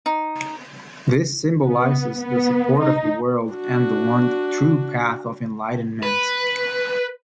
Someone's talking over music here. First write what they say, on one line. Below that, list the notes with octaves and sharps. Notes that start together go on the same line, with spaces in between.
This symbolizes the support of the world and the one true path of enlightenment.
D#4
B3
B3
D#4
D4 F#4
B4